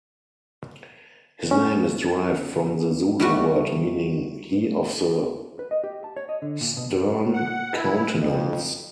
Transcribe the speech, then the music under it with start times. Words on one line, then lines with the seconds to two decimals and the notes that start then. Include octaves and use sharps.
His name is derived from the Zulu word meaning "he of the stern countenance".
1.51 C#4
3.20 G3 A3 F#4
5.59 B4
5.71 D#5
5.84 G4
6.04 A5
6.17 C#5
6.29 D#5
6.42 D3
6.61 A#2
6.77 B2
6.90 F#2
7.33 F#5
7.75 E4
8.15 F2